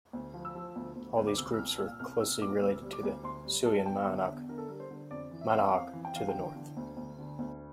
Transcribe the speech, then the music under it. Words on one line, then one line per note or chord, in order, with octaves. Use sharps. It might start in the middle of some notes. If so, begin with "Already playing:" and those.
All these groups were closely related with the Siouan Manahoac to the north.
D2
F3
E6
F3
D2
D2
D2
D6
C2 E6
E6
C2 F6
A#2 E6
C2 F6
C2 E6
A#2 D6
D2 E6
G3
D6
D2
D2 C6
G3
G3 A5
A5
E2 G5
D3
E5
E2
D3 A#4
A4
G3 A#4
C5
D3
F2 D5
E3
E5
F5
F2 E5
F2 F5
E3
G5
E3 F5
G5
D3
D3
D2
D2
D3
D2